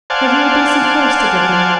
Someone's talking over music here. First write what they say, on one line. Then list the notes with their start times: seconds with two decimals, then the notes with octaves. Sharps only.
'Have you a decent horse to give me?
0.10 C5 D5 F5 F#5 G#5 A5